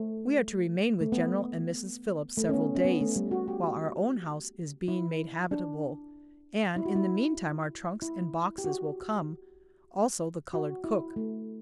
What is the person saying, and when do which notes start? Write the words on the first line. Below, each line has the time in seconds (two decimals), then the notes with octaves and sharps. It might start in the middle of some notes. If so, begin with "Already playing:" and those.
We are to remain with General and Mrs. Phillips several days, while our own house is being made habitable, and in the meantime our trunks and boxes will come, also the colored cook.
Already playing: A3
1.01 A3
1.12 B3
2.37 A3
2.49 C#4
2.53 B3
2.75 C#4
2.85 B3
3.01 A3
3.16 G3
3.31 F#4
3.48 G4
3.63 F#4
4.88 E4
5.51 D4
6.76 E4
6.85 F#4
6.96 E4
8.02 E4
8.58 G4
8.64 F#4
10.54 F#4
10.84 E4
11.16 A3